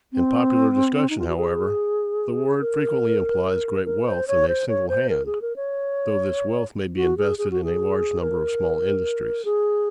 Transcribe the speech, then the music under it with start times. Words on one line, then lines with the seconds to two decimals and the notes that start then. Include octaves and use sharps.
In popular discussion, however, the word frequently implies great wealth in a single hand, though this wealth may be invested in a large number of small industries.
0.13 C4
1.10 D#4
1.19 F4
1.28 F#4
1.36 G#4
2.61 A#4
3.85 A#4
4.07 C5
4.28 C#5
4.48 C5
4.68 C#5
4.89 C5
5.09 A#4
5.26 G#4
5.42 A#4
5.56 C#5
6.96 F#4
7.17 G#4
7.38 G#4
7.51 F#4
7.64 G#4
8.21 A#4
9.45 G#4